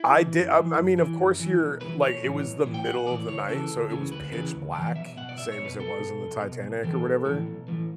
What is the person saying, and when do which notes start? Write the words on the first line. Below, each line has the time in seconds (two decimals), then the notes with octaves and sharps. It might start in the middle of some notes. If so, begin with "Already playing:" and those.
I did I I mean, of course, you're like it was the middle of the night, so it was pitch black, same as it was in the Titanic or whatever,
Already playing: E4
0.13 E3
0.35 F#2
0.55 E3
0.77 F#2
0.98 E3
1.18 F#2
1.40 E3
1.60 B1
1.81 A2 E3 B4
2.02 B1 C#5
2.23 A2 E3
2.44 B1
2.65 A2 E3
2.74 G5
2.86 B1 F#5
3.07 A2 E3 D5
3.28 D2 C#5
3.49 C#3 E3 A4
3.70 D2
3.91 C#3 E3
4.11 D2 B4
4.32 C#3 E3 B4
4.54 D2
4.74 C#3 E3 D5
4.95 B1 E5
5.17 B2 F#5
5.29 D5
5.37 B1 E5
5.52 C#5
5.59 B2
5.65 B4
5.79 B1 A4
6.00 B2
6.21 B1
6.42 B2
6.63 B1
6.84 A2 E3 A4
7.06 B1
7.26 A2 E3
7.47 B1
7.68 A2 E3